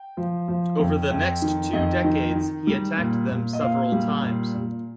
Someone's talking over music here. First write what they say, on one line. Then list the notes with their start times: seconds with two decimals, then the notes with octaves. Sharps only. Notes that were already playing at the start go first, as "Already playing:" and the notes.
Over the next two decades, he attacked them several times.
Already playing: G5
0.17 F3
0.48 F3
0.79 F2
1.11 F2
1.42 D#3
1.73 F2 D#5
2.04 D#3
2.35 D#3
2.67 G3
2.98 A#2
3.29 A#2
3.53 D#5
3.61 A#2 F5
3.92 G3
4.23 A#2
4.55 A#2